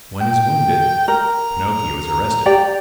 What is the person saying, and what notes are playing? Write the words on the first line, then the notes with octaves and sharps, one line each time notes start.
One is wounded. Pinocchio is arrested.
G5
A#4 A#5
G4 D5 G5